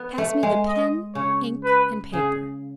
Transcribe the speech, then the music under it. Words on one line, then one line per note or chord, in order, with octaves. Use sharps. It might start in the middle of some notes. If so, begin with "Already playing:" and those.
"Pass me the pen, ink, and paper."
Already playing: B3
A3
G#3
D#5
C#3 C#5
B4
C#3 G#4